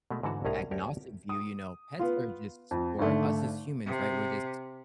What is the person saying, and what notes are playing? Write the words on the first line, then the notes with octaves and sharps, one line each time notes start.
more agnostic view, you know, pets are just for us as humans, right, we're this
B2 G#3 A3
G#2 D3 E3 F#4 A5
C2 A2 C#4 D#4 G#4 A#5
D2 G4 A4 A#4 C#5
D#6
B3 F4
F2
G#1 D3 A3
C3